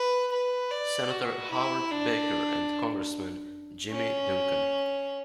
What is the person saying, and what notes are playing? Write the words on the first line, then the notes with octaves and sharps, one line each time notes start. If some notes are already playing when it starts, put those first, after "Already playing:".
Senator Howard Baker and Congressman Jimmy Duncan.
Already playing: B4
B4
D5
F#4
E4
D4
C#4